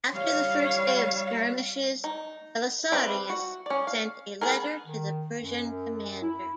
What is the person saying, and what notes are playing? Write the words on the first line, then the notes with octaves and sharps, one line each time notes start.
After the first day of skirmishes, Belisarius sent a letter to the Persian commander.
G3 C#5 F5
D#4
G3 C4 B4 E5
F#4
C#4 D5
F5
B3 G#4 A#4
D#3
F#2
E4